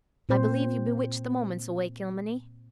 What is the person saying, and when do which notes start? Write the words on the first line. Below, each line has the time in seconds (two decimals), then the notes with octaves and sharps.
I believe you bewitch the moments away, Kilmeny.
0.29 A#2 C4 C5